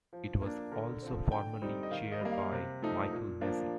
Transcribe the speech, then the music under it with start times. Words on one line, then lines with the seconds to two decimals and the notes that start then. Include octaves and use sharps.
It was also formerly chaired by Mychal Massie.
0.13 F3
0.42 A#3 D4
0.71 D3 A#4
1.03 F3 C4
1.32 D3 G5
1.62 G3 C4 D#4
1.83 D#5
1.91 D#3 F5
2.12 D#5
2.21 G3 A#3
2.32 F5
2.51 C3
2.82 F3 A3 D#4
3.12 A#2
3.41 F3 A#3 D4